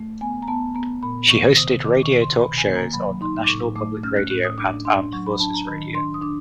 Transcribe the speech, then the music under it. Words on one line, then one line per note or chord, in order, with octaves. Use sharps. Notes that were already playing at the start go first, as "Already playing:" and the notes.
She hosted radio talk shows on National Public Radio and Armed Forces Radio.
Already playing: A3
B3 G#5
A#5
B3 A5
B3 A#5
A#2 B5
D#3 C#6
C3 D#6
D#3 D6
C#6
C3
C6
B2 B5
G#5
A#3
A#5
F#3 B5
D#4 C6
D6
A2 C#6
A3 D6
C#4 F6
F#6
A2 F#6
D#6
D4 D6
D4 C6
F#3 C#6
B5
D4 A5
A#5
D#3 B5
D4 C6
D#6
D4 D6